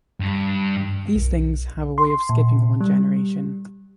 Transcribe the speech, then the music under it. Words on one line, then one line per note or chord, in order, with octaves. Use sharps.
These things have a way of skipping one generation.
G2
B1
C6
A#2
G3